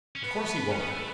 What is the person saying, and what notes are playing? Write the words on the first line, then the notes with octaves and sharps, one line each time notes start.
Of course he won't.
C#4
B3 B4
C#4
B3
A3